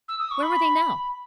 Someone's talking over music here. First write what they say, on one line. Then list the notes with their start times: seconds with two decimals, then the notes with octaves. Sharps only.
Where were they now?
0.08 E6
0.19 D#6
0.31 C#6
0.43 B5